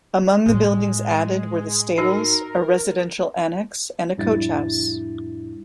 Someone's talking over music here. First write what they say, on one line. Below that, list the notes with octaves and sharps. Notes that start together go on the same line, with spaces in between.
Among the buildings added were the stables, a residential annex and a coach house.
A2 G#3 A3
D#4 F#4 A#4
F2 A2 G3 D4 E4 A6